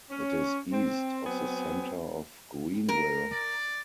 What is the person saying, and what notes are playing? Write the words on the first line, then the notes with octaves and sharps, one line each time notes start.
It is east of the center of Greenville.
C#4
C4
F#3 B3 C4 G#5
A#4
D5